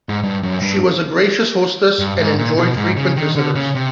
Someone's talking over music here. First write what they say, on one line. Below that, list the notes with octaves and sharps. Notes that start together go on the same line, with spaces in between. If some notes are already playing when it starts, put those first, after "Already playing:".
She was a gracious hostess and enjoyed frequent visitors.
G#2
G2
F#2
G2
G2
G#2
A#2
B2
G#2
C#3
D#3
D3
C#3
C3